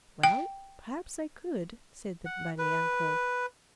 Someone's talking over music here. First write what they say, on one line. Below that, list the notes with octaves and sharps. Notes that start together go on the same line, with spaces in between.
"Well, perhaps I could," said the bunny uncle.
G5
F#5
B4